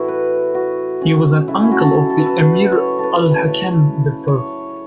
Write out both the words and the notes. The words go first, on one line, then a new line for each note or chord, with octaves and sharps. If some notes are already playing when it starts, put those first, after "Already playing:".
He was an uncle of the Emir Al-Hakam the First.
Already playing: A2 E3 A3 E4 F#4
B4
F#4
C#4
C#3 F#3 A3 E4
C#4
E4
F#4
A4
A4
B4
A4
B4
C#5
A4 B4
C#3 A3 C#5
C#5